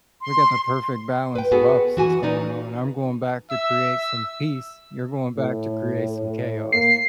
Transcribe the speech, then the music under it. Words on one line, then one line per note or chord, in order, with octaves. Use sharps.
we got the perfect balance of opposites going on. I'm going back to create some peace, you're going back to create some chaos.
C6
B4 G5
B3 F#4 G#4 A4
E3 F#4 G#5
C#4 D#4 B4 D5
E5 E6
A2
A#3 C7